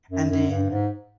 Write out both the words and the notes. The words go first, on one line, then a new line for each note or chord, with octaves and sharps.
and then
F#2
F#2
G2
G#2